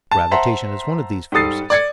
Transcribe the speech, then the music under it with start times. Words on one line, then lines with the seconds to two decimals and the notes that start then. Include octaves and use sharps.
Gravitation is one of these forces.
0.11 A5
0.31 C5 E5 F#5 A5 A#5 C6
1.32 G#2 G3 A4 D#6 A6 C7
1.70 D5 G#6 C#7